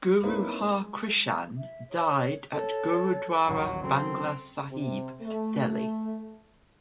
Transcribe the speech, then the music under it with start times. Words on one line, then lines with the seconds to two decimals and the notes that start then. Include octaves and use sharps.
Guru Har Krishan died at Gurudwara Bangla Sahib, Delhi.
0.23 A#3 C4 C#4 D#4 E4 B4
0.62 G#3
1.58 E5
1.90 C#5
2.54 A4 C#5
3.47 D#1 A1 F#3 B5
3.82 C#3 F#3 C4 A4
4.70 C3
5.21 A3